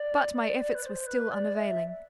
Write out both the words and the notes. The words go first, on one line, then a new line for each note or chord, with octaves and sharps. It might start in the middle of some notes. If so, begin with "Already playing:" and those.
But my efforts were still unavailing.
Already playing: D5
D5
D5
B4
D5
C5
B4
D5
E5